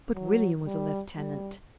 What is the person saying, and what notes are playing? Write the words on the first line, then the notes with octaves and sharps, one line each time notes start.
But William was a lieutenant.
F#3
G3
G3